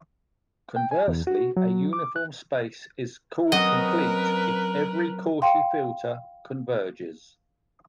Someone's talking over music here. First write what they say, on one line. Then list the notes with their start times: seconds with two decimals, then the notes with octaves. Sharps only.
Conversely, a uniform space is called complete if every Cauchy filter converges.
0.76 G5
0.91 G#5
1.08 E2
1.27 F#4
1.57 F#3
1.93 D6
2.16 F#6
3.52 F#3 C4 C#4 F#4 A#4 B4 D#5 D#6
5.42 F5 G5 C6